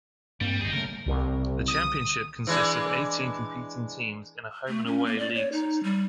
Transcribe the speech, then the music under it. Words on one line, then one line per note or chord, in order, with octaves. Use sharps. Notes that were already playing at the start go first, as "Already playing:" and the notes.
The championship consists of eighteen competing teams in a home and away league system.
G2 G3 A#3 C4
G1 D#2 G3 D#4 G#4
C#3 G#3 A3 A#4
C2
D#6
E3 G#3 D4
A3
C#4
A#3
D5
C#5
D#4
G3